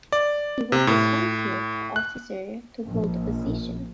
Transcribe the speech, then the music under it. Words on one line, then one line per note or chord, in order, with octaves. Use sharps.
He was the twentieth officer to hold the position.
D5
C3
A2
F#6
A#1